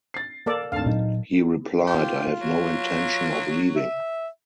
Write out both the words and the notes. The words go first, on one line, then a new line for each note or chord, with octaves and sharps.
He replied, I have no intention of leaving.
A6 C7
A#3 A4 D5
G#1 D2 F5 A5
A#2 F#3 D#4
F4 G4
F#3
E5